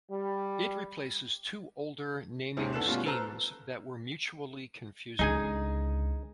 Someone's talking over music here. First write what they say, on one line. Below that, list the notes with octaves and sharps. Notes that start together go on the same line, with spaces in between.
It replaces two older naming schemes that were mutually confusing.
G3
D#2 G#2 C3 C4 C#4
D3 A4 B4 F#6 E7
B2 G3 A3 C#4 F4
A4 B4 C5 A#5 E6 F6
C#2 D3 D#4 G#4 G#5